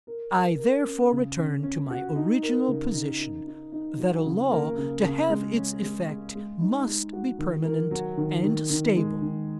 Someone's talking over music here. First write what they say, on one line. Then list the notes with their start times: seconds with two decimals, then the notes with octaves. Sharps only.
'I therefore return to my original position, that a law, to have its effect, must be permanent and stable.
0.07 A#4
0.33 A#4
0.59 A#4
0.85 C#4
1.12 C#3
1.37 C#4
1.63 C#4
1.90 F#4
2.16 D#4
2.42 A#4
2.68 C#3
2.94 D#4
3.20 D#4
3.46 D#4
3.72 D#4
3.99 F#3
4.25 C#3
4.51 A#3
4.77 C#3
5.03 C#3
5.29 G#3
5.56 C#4
5.83 G#3
6.08 G#3
6.35 G#3
6.61 D#4
6.87 G#3
7.13 F#4
7.39 D#3
7.65 A#4
7.91 F#3
8.17 D#3
8.44 D#3
8.70 D#3
8.96 G#3
9.22 D#3